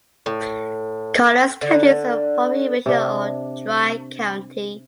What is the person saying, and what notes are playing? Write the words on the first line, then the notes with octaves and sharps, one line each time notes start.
Carlisle County is a prohibition or dry county.
A2
D3
C3 D4